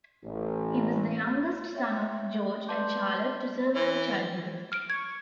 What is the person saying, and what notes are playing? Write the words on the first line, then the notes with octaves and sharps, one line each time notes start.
He was the youngest son of George and Charlotte to survive childhood.
A1
C#5 E5 G5
B4 D5 A5 C6 D6 G6
E3
F6 D7
C#6 G#6